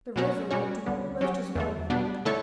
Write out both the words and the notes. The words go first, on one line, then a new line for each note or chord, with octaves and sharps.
"The river will do almost as well, my lord."
B2 F#3 C#4 F#4
B2 G3 C#4 F#4 C#5
D2 D3 G3 B3
F#3 C#4 G4
E2 D3 A3
B2 G3 B3 D4
D3 A3 E4 A4 C#5